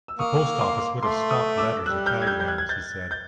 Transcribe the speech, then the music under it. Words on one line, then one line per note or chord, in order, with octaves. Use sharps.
"The Post Office would have stopped letters or telegrams," he said.
E6
A#3 C#6 D#6
C6 D6
A3 C6 D6
C#6 D#6
D6 E6
G3 E6 F#6
F6 G6
G#6
F6 G6
G6
F#6 G#6
G#6
G6 A6
G6 A6